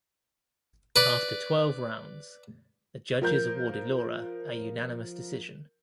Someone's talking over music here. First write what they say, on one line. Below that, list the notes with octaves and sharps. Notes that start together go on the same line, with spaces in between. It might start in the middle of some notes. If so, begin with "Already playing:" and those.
After twelve rounds, the judges awarded Lora a unanimous decision.
B4 D5
F3 A#4 G6